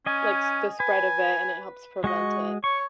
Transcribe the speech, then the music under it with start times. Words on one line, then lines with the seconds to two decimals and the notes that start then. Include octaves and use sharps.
like, s the spread of it, and it helps prevent it.
0.06 C#4 D#5 G#5
0.80 B4 G#5
2.04 G#3 F#4 D#5 C#6
2.64 C#5 C#6